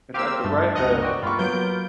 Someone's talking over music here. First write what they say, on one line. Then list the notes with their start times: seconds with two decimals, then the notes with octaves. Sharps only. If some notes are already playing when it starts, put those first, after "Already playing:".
It's at the right the
0.14 A#3 C4 G4 F5 E6
0.44 G2 A3
0.75 C#2 G2 D#5 F#5 A#5
1.02 C4 F#4 D5 G5
1.23 G2 A#3 F4 B5 C#6
1.39 F#3 B3 G6 D7